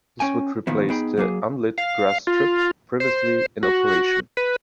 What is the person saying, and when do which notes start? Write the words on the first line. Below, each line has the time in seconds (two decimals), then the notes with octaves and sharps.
This would replace the unlit grass strip previously in operation.
0.20 C#4 G5 G#5
0.67 A#2 D#3 F3 B3
0.90 B3 D#4 G#4 G5 B5
1.17 F#3 A#3 G#4
1.78 F5
2.27 F4
3.00 C5
3.63 F#4
4.37 B4